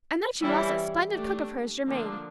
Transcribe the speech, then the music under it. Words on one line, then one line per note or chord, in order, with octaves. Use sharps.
And then she lost that splendid cook of hers, Germaine.
E3 G3 C#4 E4
A3 D4 G4
D3 F3 A#3 D4